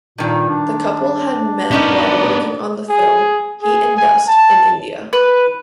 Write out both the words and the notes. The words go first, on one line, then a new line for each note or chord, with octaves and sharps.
The couple had met while working on the film "Heat and Dust" in India.
G2 A#2 D#3
D4
G3 B3 C#4 D#4 A#4 D5
G#4
G#4
G#5
A5
B4